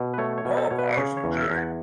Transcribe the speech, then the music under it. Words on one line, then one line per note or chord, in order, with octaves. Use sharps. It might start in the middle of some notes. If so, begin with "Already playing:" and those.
Hobhouse and J.
Already playing: B2
B4
A3 C#5
C#5
B2
A4
B2 C#5
B4
B4
C#3 C#5
C#5
E2
E5
E2
F#5